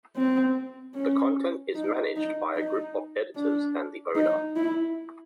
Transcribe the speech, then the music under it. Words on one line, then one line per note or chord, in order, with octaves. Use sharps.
The content is managed by a group of editors and the owner.
C4
C#4
D#4
D#4
D#4
D4
D#4
E4